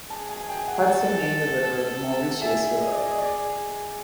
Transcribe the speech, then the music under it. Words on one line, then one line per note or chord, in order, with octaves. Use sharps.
Hudson named the river the Mauritius River.
G#4 A5
G#5
G5
F#5
A4 F#5
A4
G#4 E5
D#5
D5
D#5
D5